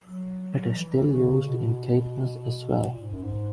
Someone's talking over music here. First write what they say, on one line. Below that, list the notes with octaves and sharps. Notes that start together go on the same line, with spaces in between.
It is still used in Caithness as well.
F#3
E3
C#3
B2
A#2
G#2
F#2
G#2